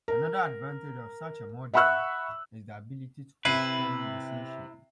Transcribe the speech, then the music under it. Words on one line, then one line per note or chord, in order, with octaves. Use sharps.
Another advantage of such a model is the ability to postpone decisions.
A#4
E5 F#5 B5 C#6 E6 F#6
C3 E4 B4 C7 D#7